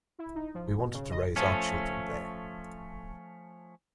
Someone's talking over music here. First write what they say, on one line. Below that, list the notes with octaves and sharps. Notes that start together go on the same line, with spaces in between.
We wanted to raise our children there.
E4
D#4
F3
B2
C#3
D#5
F3 A3 C#4